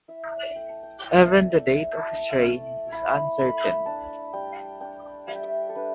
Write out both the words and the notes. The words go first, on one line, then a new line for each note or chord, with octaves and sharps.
Even the date of his reign is uncertain.
E4 E5
A3 G5
A5
G5
E4 G5
D5
A3 E5
E4 A5
A3
E4 B5
A3 B5
D4 A5
G3 G5
D4 G5
G3 E5
G5
E5
A4
D4 B4